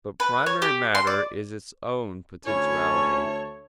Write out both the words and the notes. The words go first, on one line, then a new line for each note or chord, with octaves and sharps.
But primary matter is its own potentiality.
B4
C#5
G4
C6
D5
D2 C#4 E4 A4 C#5